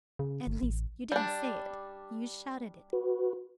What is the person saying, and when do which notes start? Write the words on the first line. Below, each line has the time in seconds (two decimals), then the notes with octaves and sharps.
"At least--you didn't say it--you shouted it!"
0.19 C#3
0.47 G1
0.63 A1
1.12 G3 D4
2.93 F#4 B4